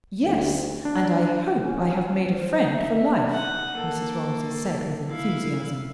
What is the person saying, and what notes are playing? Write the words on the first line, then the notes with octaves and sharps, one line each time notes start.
"Yes--and I hope I have made a friend for life," Mrs. Romsey said with enthusiasm.
D2
D4
C#4
C5
E5
D#4 F#5
A#3 A4
E4 F5